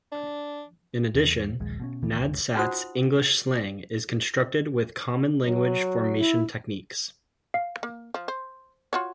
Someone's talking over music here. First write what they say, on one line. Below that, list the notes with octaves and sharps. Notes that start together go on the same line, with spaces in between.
In addition, Nadsat's English slang is constructed with common language-formation techniques.
D4
E2
A#1 D#2 G#3
B2 G#3 C#4
C#2 D#3 E3 B3
G1 C#2
D#4 F4 F#4 C5 F#5 D#6
F#3
E4
F5
A#3
F3
C5
F4 F#4 C#5